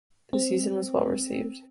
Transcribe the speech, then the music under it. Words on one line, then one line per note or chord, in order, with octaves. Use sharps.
The season was well received.
C4